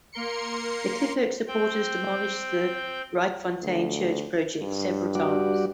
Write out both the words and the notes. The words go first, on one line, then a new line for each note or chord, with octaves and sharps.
The Klipkerk supporters demolished the Rietfontein Church project several times.
A#3 A#4 C6 C#7
C4 G5
D2
G2
G3 F#4 D5